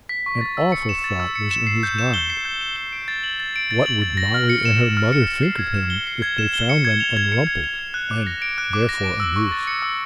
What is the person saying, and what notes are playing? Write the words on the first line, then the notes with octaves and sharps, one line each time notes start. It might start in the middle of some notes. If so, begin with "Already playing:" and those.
An awful thought was in his mind: What would Molly and her mother think of him if they found them unrumpled and therefore unused?
B6
C#6
A6
E6
C#7
E7
A6
E6
C#7
E7
C7
G6
E7
G7
C7
G6
E7
G7
D7
A6
F#7
A6
D7
A6
F#7
A6
A#6
F6
C#7
E7
A#6
F6
C#7
E7
C7
G#6
E7
G7
C7
G#6
E7
G7
C#7
G#6
F7
G#6
C#7
G#6
F7
G#6
F#6
D6
A#6
D7
F#6
D6
A#6
D7
E6
C#6
A6
C#7
E6